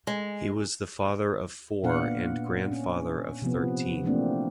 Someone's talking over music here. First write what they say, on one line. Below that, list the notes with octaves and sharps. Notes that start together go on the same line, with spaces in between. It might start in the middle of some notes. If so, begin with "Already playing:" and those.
He was the father of four and grandfather of thirteen.
G#3
A#2 B3 D4 F5 F#5
C#4
C3 F3 B3
E3 F3 A3 A#3 C4 D4